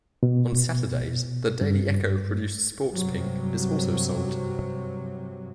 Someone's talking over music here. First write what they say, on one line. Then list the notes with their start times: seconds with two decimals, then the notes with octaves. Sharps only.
On Saturdays, the "Daily Echo" produced Sports Pink is also sold.
0.23 B2
1.61 G2
2.92 G2 C3 F#3